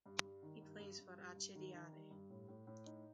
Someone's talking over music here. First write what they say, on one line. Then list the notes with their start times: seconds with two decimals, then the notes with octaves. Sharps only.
He plays for Acireale.
0.06 G2
0.24 G3
0.42 D#3
0.61 G2
0.80 G2
0.99 G2
1.18 G2
1.36 G2
1.55 D#3
1.74 D#3
1.92 G3
2.11 G2
2.30 A2
2.48 A2
2.67 A2
2.86 D#4